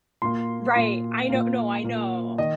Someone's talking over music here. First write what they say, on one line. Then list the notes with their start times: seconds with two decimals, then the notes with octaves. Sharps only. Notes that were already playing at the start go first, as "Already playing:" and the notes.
Right. I know No, I know.
0.22 A#2 A#3 C6
0.76 A#2 A#3
1.30 A#2 A#3
1.84 A#2 A#3
2.38 D#3 D#5